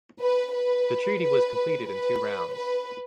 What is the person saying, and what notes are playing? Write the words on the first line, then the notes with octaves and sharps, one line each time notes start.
The Treaty was completed in two rounds.
B4
B4
B4
B4
B4